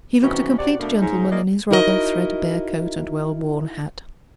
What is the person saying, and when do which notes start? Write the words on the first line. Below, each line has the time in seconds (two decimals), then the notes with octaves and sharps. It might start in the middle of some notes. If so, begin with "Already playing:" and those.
He looked a complete gentleman in his rather threadbare coat and well-worn hat.
0.22 B2 D#3 E3 F#3 C4 C#4
0.57 C3 F#4 D5
0.80 B2 A3 A#3 D4
1.01 F2 G#2 C#3 D#4
1.30 G#3 A#3 D#4 E4 D5 D#5
1.71 D#4 E4 F#4 A#4 B4 D#5